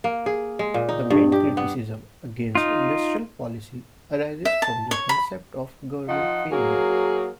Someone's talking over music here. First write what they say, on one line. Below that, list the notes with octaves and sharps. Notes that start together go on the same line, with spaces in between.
The main criticism against industrial policy arises from the concept of government failure.
A#3
G#4
G#3
A#2
D#4
G2
G4
B3
D#4 F4
E5
A5
C#5
B5
F3 D#4 F4 F#5
F#3 A#3 G#4 F5